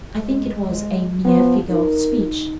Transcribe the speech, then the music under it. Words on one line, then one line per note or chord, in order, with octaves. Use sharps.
I think it was a mere figure of speech.
G#3
F3 B3
D#4 A#4